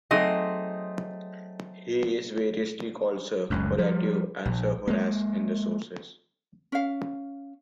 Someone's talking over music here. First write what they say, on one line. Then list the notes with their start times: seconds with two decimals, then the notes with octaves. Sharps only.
He is variously called Sir Horatio and Sir Horace in the sources.
0.11 F#3 A3 C4 D#4 G#4 D#5
3.50 F#1 C#2 F#2
3.78 F3 G3
4.45 A#1
4.87 G#3 A#3
6.72 C#4 F5